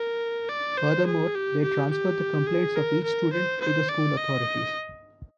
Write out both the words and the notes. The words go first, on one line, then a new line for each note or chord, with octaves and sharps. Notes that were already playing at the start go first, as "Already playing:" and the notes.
Furthermore, they transfer the complaints of each student to the school authorities.
Already playing: A#4
D5
C5
G#4
G4
G4
G4
G#4
A#4
A#4
C5
C5
D5
D#5